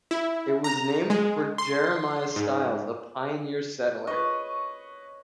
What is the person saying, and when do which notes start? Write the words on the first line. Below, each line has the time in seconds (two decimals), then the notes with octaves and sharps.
It was named for Jeremiah Stiles, a pioneer settler.
0.11 E4
0.64 A#5
1.10 G#3
1.58 C6
2.36 G#2
4.07 B4 C#5 D#5